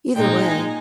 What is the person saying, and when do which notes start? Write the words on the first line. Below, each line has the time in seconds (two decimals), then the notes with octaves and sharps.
either way,
0.15 A#2 G#3 D#4 G5
0.42 G#5